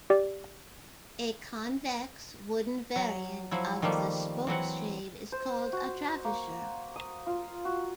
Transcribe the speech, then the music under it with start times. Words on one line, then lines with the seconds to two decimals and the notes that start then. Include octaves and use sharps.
A convex, wooden, variant of the spokeshave is called a travisher.
0.10 G4 D5
2.96 F#3
3.51 F3 F#3 E4
3.82 D#3 F3 G3 A3 A#3
4.47 E3 F#3 C4 F#5
5.32 C5
5.73 F#4
6.25 A#3
6.96 D#6
7.27 F4
7.65 F#4